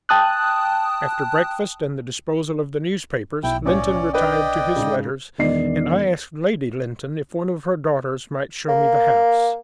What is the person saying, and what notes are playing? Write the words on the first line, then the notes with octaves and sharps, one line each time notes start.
After breakfast and the disposal of the newspapers, Lynton retired to his letters, and I asked Lady Lynton if one of her daughters might show me the house.
G5 A5 D#6 F#6
B1 E4 G5
A1 C#4 C#5 D5
D4 B4 D5 D#5 G5
G#2 C#3
E1 D#3 B3 D5 D#5 C7
A#3